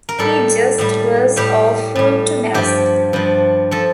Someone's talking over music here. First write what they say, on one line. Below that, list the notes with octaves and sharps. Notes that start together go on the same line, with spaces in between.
He just was awful to Nelson.
A#4
A2 G3 A4
A2 G3
A2 G3 G4
A2 G3
G2 F3 G4
G2 F3
F3 A4